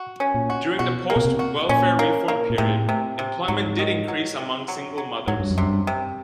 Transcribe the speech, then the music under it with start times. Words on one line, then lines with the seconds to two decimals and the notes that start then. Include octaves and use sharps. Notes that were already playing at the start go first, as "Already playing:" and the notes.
During the post-welfare reform period, employment did increase among single mothers.
Already playing: F#4
0.20 C#4
0.34 A#2
0.50 F#4
0.79 B2 F#4
1.10 A#3
1.16 B2
1.25 C3
1.39 F#4
1.69 A#2 C#4
1.99 A#3
2.28 A#3
2.50 A#2
2.58 A2 C3
2.89 C3
3.19 C3
3.48 G#2 F#3
3.79 D#3
4.08 F#3
4.38 C3
4.68 F#3
4.98 F#3
5.27 G#2 F#3
5.40 G2
5.50 F#2
5.58 G2 C3
5.87 C3